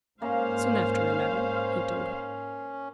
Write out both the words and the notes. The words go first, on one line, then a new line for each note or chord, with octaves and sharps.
"Soon after eleven," he told her.
G#2 A#3 C#4 C5 F5